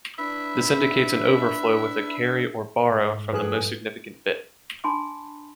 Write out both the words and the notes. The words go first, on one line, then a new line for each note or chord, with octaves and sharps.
This indicates an overflow with a "carry" or "borrow" from the most significant bit.
D4 E4 B4 E5
G#2
G2 F3 G#4 A4 B4 F#6
D4 G#5 A5 B5 C6 D6